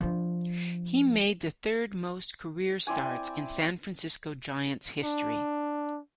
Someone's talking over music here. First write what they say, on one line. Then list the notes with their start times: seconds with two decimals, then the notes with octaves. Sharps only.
He made the third most career starts in San Francisco Giants history.
0.01 F3 D4
2.87 C4 E4 D5 G#5
5.03 D4